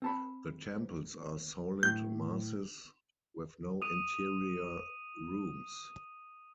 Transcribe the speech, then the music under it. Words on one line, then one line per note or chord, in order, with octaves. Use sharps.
The temples are solid masses with no interior rooms.
C4 A5 B5
A2 G6
D#6 D#7